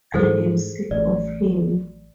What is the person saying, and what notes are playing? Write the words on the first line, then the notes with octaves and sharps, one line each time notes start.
I am sick of him.
G#2 E3 G#4 A4 C5
A1 D5